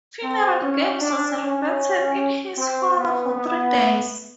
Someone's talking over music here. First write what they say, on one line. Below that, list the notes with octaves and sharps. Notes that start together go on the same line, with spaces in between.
Funeral games were celebrated in his honor for three days.
C4
C#4
D4
C#4
C4
B3
B3